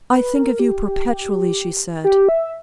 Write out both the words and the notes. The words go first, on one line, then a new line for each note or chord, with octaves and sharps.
"I think of you perpetually," she said.
B4
A#4
G4
G4
E5